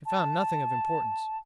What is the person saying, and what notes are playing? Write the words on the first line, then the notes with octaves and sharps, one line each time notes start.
They found nothing of importance.
A5